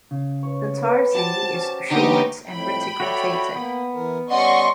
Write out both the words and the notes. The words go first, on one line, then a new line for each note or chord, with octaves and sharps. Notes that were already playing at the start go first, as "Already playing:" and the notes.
The tarsi is short and reticultated.
C#3
C#5
B4
F#4 G4 C5 A5
C#4
D3 A#3 B3 D#4 G4 C#5 A#5
F2 A2 G5 B5
F#4 A4 C#5 D5 E5
A#3 B3
E3 A#4
G3 C#4 D5 D#5 F#5 C6 C#6